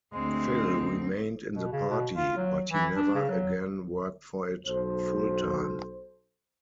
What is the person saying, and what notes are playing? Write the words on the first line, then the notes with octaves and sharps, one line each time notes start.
Phil remained in the Party, but he never again worked for it full time.
D2 G#3 C4
B2
C#3
B2
F4
F#3
E3
D4
C#3
F#3
B1 A4 C5